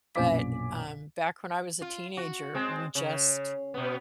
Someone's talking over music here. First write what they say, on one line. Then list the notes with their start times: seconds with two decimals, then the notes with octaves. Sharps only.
But, um, back when I was a teenager, we just,
0.16 A#1 F#2 B2 G#5 D6 B6
1.82 F4
2.17 F#4
2.54 G#3 C4
2.95 C#3
3.74 B2 B3